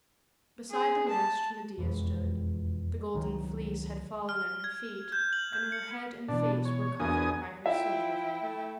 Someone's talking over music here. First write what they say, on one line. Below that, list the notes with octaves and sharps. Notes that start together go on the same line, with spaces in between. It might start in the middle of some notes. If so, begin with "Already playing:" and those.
Beside the mast Medea stood; the Golden Fleece had fallen at her feet, and her head and face were covered by her silver veil.
G#4
A5
E1 F2 E3 G#3
C#2 D#3 F#3
F6
G#6
G6
F#7
G6
C#7
B2 E3 D4
C#5
E2 D4 F#4 A#4 G#5 D#6
E4 F4 E5 G5
A3